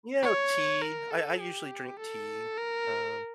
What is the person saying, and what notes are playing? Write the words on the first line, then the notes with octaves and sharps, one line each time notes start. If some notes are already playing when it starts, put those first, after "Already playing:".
You know, tea. I I usually drink tea, um
C#5
A#4
A4
G4
A4
A#4